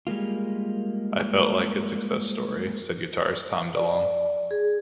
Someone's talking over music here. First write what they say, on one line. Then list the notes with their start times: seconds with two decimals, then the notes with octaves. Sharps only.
I felt like a success story, said guitarist Tom DeLonge.
0.07 G3 G#3 A#3 F4
3.75 D5
4.51 G#4